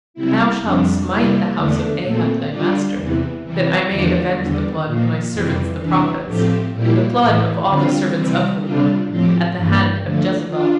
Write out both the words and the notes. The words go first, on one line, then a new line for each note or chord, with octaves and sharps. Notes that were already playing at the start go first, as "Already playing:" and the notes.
And thou shalt smite the house of Ahab thy master, that I may avenge the blood of my servants the prophets, and the blood of all the servants of the Lord, at the hand of Jezebel....
C3 G3 C4 E4
F2 C3 G3 D4
C3 G3 A#3 E4 G4
E2 D3 A3 D4
A#2 A3 C4
D3 G3 D4 F4
E2 C3 E3
C3 E3 G3
E2 D3 F3 A3 D4
E2 D3 G3
A#2 F3 A#3
F2 C3 E3 G3 C4
C3 E3 G3 D4
A2 F3 A3 C4 G4
A#2 G3 A#3 E4 G4
A2 E3 A3
D3 G3 C4 F4
C3 E3 G3 C4
C3 G3 D4 F4
A2 F3 C4 G4
G2 E3 G3 A#3
D3 F3 A3
D4 F4